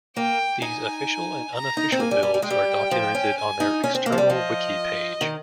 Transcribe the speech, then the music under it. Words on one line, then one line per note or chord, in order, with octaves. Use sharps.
These official and unofficial builds are documented on their external wiki page.
A#3 G5
D#4 G#5
A#5
D#4
C4
A#3 G#5
G3
G3
G3
G#3
G3 G5
F3
C#4
G#5
D#4
C#4
C4
A#3
F3
G3
F3 D#5
D#3